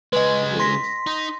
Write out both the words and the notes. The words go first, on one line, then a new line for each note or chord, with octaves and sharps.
It is.
C#2 G#3 B4 D#5
C6 A#6 B6
D#4